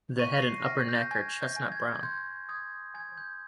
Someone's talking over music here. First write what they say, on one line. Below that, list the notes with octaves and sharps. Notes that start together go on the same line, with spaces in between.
The head and upper neck are chestnut brown.
C#6 D#7
A#6
C7
F6 A#6
G6
G#5 G#6
G6
G#5
G#6
G#6
C6 G6
D#6 G#6
G#5 G#6
G6